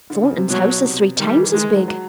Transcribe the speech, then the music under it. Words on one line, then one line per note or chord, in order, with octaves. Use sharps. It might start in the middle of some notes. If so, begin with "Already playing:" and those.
Thornton's house is three times as big.'
D3
C#3
C3
B2 F#3
C3
D#3 G3
E3
D#3 G#3
D#3
F#3
F#3